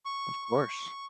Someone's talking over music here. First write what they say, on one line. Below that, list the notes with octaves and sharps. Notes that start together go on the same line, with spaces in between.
Of course.
C#6
C#6